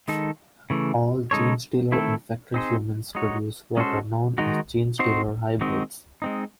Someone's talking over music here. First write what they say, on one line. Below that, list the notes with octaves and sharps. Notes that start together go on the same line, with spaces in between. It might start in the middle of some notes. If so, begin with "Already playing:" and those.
All genestealer-infected humans produce what are known as genestealer hybrids.
D#3 G#3 D#4 A4
C#3 E3 A3
C#3 G#3 D#4 A4 C#5
D#3 A3 C4 E4 A4
C4 D#4 G#4 C5
G#3 D#4 F#4 C#5
G#3 C#4 F#4 A4 C5
D#3 G#3 D#4 F#4
C4 D#4 F#4 C5
D#3 G#3 C4 D#4 F#4
G#3 C4 D#4